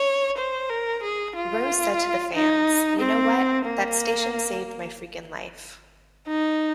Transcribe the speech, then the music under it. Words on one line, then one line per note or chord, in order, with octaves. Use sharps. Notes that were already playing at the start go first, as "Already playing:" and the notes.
Rose said to the fans, You know what?!, that station saved my freakin' life.
Already playing: C#5
C5
A#4
G#4
F4
D#4
C4
A#3
D#4